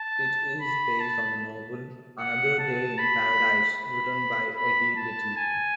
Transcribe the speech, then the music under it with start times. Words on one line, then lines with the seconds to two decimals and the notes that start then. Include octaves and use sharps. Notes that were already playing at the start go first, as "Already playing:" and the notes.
It is based on the novel "Another Day in Paradise" written by Eddie Little.
Already playing: A5
0.61 B5
1.00 A5
2.20 F#5
2.59 A5
2.98 B5
3.78 B5
4.56 B5
4.97 A5
5.37 G#5